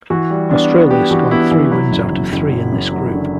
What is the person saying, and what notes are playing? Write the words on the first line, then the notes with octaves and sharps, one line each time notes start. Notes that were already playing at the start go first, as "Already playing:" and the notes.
Australia scored three wins out of three in this group.
E3 F#4
G3
B3 D4
B3
B3 G4
E3 F#4
B3 E4
E3 E4
F#3 E4
F#1
F#1
F#1
F#3
F#2
F#3
D3